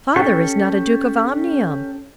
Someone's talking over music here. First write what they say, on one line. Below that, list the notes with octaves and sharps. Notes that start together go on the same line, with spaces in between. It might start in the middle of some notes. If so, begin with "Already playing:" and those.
Father is not a Duke of Omnium.
C#4 G4 A4